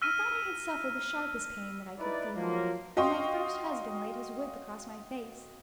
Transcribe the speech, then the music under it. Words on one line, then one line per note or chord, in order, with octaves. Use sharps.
I thought I had suffered the sharpest pain that I could feel when my first husband laid his whip across my face.
E6 F6 A#6 B6 D#7
D#4 E4 B4 D5
F3 F#3 A#3
F#4 D#5 F5 G5 C6 C#6